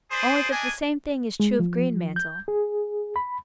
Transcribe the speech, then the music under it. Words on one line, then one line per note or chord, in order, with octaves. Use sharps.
'Only that the same thing is true of Greenmantle.
G#4 B4 C5 D5
D4 D#5 G#5
G#3
F3
G6
G#4
B5